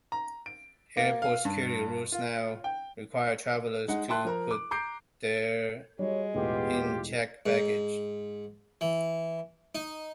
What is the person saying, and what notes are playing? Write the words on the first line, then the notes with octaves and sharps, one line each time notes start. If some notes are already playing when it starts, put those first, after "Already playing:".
Airport security rules now require travellers to put their in checked baggage.
A#5
D7
A#3
F5
G2
F4
G5
G#3 D#4 F#5
E5 G5 A5 C6 F#6
F3 A#4 A#5
D6
A#5 D6 G6 C7 D7
G3 G#3 F#4 C#5
E1 A2 B3 F4 G4
G#2
E3
D#4